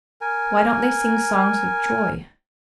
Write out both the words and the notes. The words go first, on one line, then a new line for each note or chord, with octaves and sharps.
Why don't they sing songs of joy?
A#4 G#5